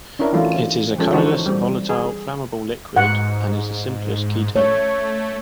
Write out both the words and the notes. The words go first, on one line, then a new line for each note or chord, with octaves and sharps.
It is a colorless, volatile, flammable liquid, and is the simplest ketone.
C#4 D4 E4 A#4
E3 F#3 A3 F4
F3 G#3 C#4 A4
E3 G#3 D#4 F#4 C5 C#5
G3 C4
G#4
G#2 F#5
A3 C#5